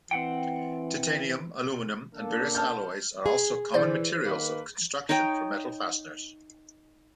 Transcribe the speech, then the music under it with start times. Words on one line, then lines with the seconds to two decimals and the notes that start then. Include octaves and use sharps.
Titanium, aluminum, and various alloys are also common materials of construction for metal fasteners.
0.11 E3 C4 F#5 G5
2.14 A#3 D4 A4
2.55 A5 F6 G6
3.26 G#4
3.74 E3 C5 D5
4.25 D#3 A#3 B4
5.09 D#4 C#5 D#5 G5